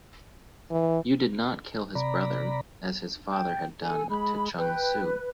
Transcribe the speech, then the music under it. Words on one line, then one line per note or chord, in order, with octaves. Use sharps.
U did not kill his brother as his father had done to Chung-Su.
E3
C3 D5 A#5 B5
G5
A4 G#5
G#3 B5
B4 G5